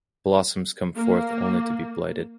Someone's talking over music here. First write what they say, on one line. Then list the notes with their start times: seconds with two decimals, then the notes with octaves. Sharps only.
Blossoms come forth only to be blighted.
0.95 A#3